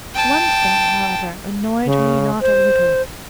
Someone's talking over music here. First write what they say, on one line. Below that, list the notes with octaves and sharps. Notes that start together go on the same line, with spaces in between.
One thing, however, annoyed me not a little.
G5 A5
C#3
C5